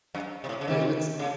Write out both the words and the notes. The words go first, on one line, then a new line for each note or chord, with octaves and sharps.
It was
F#2
C3
A2
C#3
D#3
C#3